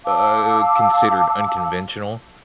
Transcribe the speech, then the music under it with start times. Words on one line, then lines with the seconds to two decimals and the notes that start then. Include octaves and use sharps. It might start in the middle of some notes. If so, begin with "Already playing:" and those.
uh, considered unconventional.
0.06 F5 A5 D6 E6